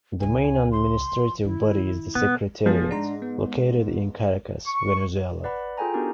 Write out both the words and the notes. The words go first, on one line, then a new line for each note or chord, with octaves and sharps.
The main administrative body is the secretariat, located in Caracas, Venezuela.
C#2 C#3 G#5
C6
F2
D#3 E4
B2 B3
F3 B3 G#4
G#2 D4 A#5 C6
B3
C#6
B4 D5 F#5 B5
F4 G#4 A4 G5 G#5 A#5
B3 D4 D#4 F#4 G4 A#4